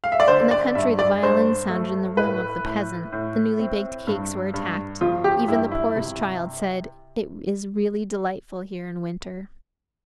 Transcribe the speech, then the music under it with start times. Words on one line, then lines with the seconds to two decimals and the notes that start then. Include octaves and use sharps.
In the country the violin sounded in the room of the peasant; the newly-baked cakes were attacked; even the poorest child said, "It is really delightful here in winter!"
0.04 F5
0.12 E5
0.20 D5
0.27 D3 C5
0.51 D5
0.75 G2 E5
0.99 D5
1.23 G2 C5
1.69 A3
2.17 A2 B4
2.64 A2
3.12 A2
3.59 C4
4.07 G2
4.54 G2
5.01 F3 F4
5.24 G4
5.48 G2 E4
5.72 E4
5.96 C3